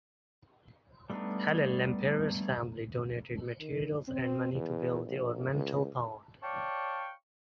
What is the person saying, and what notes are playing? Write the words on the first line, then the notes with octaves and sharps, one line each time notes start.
Helen Lempriere's family donated materials and money to build the ornamental pond.
G3 A3 B3 D4 D#4
D#3
C4
E2
A#1
C#2
C#5 D5 F5 G5 A5 C#6